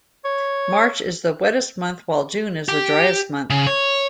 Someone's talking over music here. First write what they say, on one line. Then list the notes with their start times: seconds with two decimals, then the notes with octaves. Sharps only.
March is the wettest month while June is the driest month.
0.25 C#5
2.69 G4
3.50 C#3
3.67 C#5